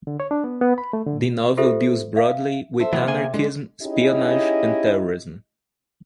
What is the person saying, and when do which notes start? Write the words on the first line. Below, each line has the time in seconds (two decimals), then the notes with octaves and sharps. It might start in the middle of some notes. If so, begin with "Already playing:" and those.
The novel deals broadly with anarchism, espionage and terrorism.
0.07 D3
0.20 C#5
0.31 D4
0.44 B3
0.61 B3
0.78 B5
0.93 A3
1.06 D3
1.20 B2
1.57 F4 G4 A4 C5 E5
2.16 E5 F5
2.80 A4 C5 E5
2.93 C3 E3 F#3 B3
3.07 A#3 G#4 G#5
3.34 D3 G#3
3.82 C#4 D#4 E4 G4 G#4 D#5